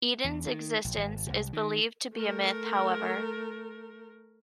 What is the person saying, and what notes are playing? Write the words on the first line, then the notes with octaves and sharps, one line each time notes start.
Eden's existence is believed to be a myth, however.
E2
D#3
A#1
G#1
C2
D#3
A3 A#4